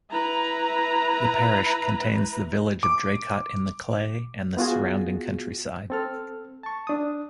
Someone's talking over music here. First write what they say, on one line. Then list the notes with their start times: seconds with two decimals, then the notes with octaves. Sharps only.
The parish contains the village of Draycott in the Clay and the surrounding countryside.
0.11 E4 B4 A#5
2.83 D6
4.57 B3 F4 F#4 G#4
5.90 C4 A4 F6
6.63 A5 C#6
6.87 D4 D#6